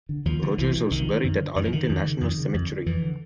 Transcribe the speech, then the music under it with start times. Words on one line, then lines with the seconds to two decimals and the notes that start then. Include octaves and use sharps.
Rogers was buried in Arlington National Cemetery.
0.09 D3
0.25 D#2 F3
0.42 D3
0.58 C2 E3
0.75 B2
0.91 C2 D#3
1.07 B2
1.24 F#2
1.40 D3
1.56 F#2 D#3
1.65 E3
1.73 D3 D#3
1.89 F2
2.05 C#3
2.21 F2
2.38 C#3
2.54 F2
2.69 D3
2.86 F2 E3
3.02 D3